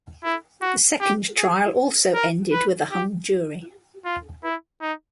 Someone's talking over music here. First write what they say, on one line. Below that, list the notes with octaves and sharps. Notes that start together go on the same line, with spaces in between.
The second trial also ended with a hung jury.
E4
F#4
G4
G#4
A#4
B4
G4
F4
E4
D#4